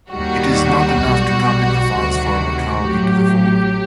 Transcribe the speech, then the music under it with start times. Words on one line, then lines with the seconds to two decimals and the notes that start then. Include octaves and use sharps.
It is not enough to copy the files for a locale into the folder.
0.11 D#2 D#3 G3 F#4
1.03 B1 B2 G3
1.94 D2 C3 D#3 G3
2.85 A1 A2 F#3 G4